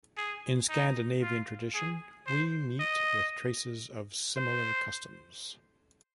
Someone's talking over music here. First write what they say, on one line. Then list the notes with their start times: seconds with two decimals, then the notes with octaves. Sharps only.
In Scandinavian tradition we meet with traces of similar customs.
0.17 G#4
0.69 D#4
1.22 F4
1.74 G#4
2.27 C5
2.79 D#5
4.36 C5